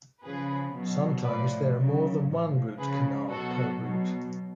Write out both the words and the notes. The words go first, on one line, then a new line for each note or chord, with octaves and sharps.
Sometimes there are more than one root canal per root.
C#3 F3 G#4 B4
B2 F#3
A2 F3 B4 D5
C#3 F#3
A2 F3
C#3 F3 G#4 B4
B2 F#3 F#4 A4
B2 F#3